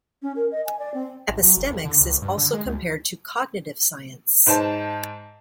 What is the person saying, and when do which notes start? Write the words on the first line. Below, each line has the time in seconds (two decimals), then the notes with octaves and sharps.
Epistemics is also compared to Cognitive Science.
0.22 C#4
0.36 A#4
0.52 D#5
0.66 G#5
0.79 D5
0.94 C4
1.29 A1
1.43 F#3
1.57 F#1
1.71 E2
1.85 D3
2.01 C#2
2.22 G2
2.37 D3
2.53 G#3
2.66 D2
4.46 G#2 C5 A5